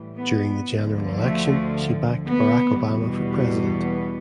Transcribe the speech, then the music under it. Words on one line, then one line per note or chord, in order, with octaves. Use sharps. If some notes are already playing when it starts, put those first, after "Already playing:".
During the general election she backed Barack Obama for president.
Already playing: A2 E3 G3
B3
D2 D3 F3
A3
B3
E2 B2 G3
B3